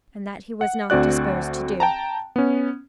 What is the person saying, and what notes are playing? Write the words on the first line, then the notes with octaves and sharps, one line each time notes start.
And that he was not disposed to do.
F#5
D2 C4 F#4 D5 F#6
G5 A5 A#5
B3 C#4